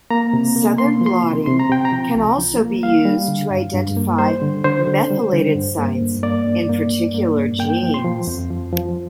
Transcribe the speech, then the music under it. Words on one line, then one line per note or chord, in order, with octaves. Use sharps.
Southern blotting can also be used to identify methylated sites in particular genes.
A#3 A#5
C3
A#3
A#3 C6
F3
C6
C3
C3 C6
A#5
C3 G5
A#5
F3
C2
F3
A#3
G3 F5
G3
D3
G2
G2
A#3
G3 C5
D3
D3 C5
D3
G3
D3
G2
A#3
G2
A#3 D5
G2
A#3
G2
A#3
G2
A#3 G5
F3
C6
F3
F2
F3
F3